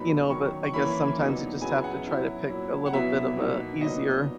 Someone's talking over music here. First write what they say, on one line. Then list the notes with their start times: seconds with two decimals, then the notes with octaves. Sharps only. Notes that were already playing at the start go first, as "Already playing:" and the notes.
you know, but I guess sometimes you just have to try to pick a little bit of a easier
Already playing: A#2 F#3 B3 D#4 B5
0.30 D#3 F#3 C#4 C#6
0.63 C#6
0.73 E3 A#3 C#4 E4 B5
1.17 A#2 F#3 B3 D#4
1.61 C#3 F#3 B3 E4 G#5
1.84 F#5
2.06 F#3 C#4 E4
2.49 A#2 F#3 C#4 E4
2.86 F#5
2.93 B2 F#3 B3 E4 E5
3.37 B2 A#3 D#4
3.81 A#2 F#3 B3 D#4 D#5